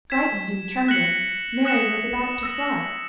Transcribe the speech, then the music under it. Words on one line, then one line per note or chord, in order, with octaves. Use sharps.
Frightened and trembling, Mary was about to fly.
G#6 B6 E7
F#6 A#6 C#7 F#7
D#6 F#6 C#7 E7
E6 A#6 E7